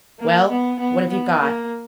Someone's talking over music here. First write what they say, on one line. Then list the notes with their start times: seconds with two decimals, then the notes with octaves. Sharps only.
"Well, what have you got?"
0.20 A#3
0.49 B3
0.79 B3
1.10 B3
1.40 A#3